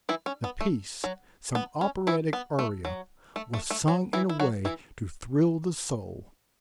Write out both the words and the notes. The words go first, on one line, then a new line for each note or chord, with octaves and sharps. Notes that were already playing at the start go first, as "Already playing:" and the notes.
The piece--some operatic aria--was sung in a way to thrill the soul.
E3 E4
C#4
B3
A3
F#3
B3
C#4
E3 E4
B3
A3
F#3
A3
A3
A3
F#3
E3 E4
E4
F#3 F#4
E3 E4